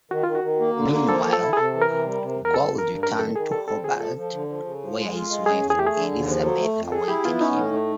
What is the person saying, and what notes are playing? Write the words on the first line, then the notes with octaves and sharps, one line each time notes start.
Meanwhile, Gould returned to Hobart, where his wife Elizabeth awaited him.
D#3 F#4
D#3 F4
F#4
D#3
A#3
D3
A#3
F3 A4
F3
A4
E4
G#4
C3 A4
E3
A#4
C3
G3
C3
E2
A#4
G2 A4
G2
A#4
G2
F#2 A#4
D#3 A4
D#3 G#4
G3 A4
C4 A4
A#2 G#4
F3 A4
F3
D3
F3
C#3
F3
G#3
F4
G#3
C#3 G#4
E2
G#4
A3 G4
G#4
D3
D#2
F3
F#3 A4
A3
F2
G#4 A4
E4 G4
B3 F4
C#4 D#4
A2
A3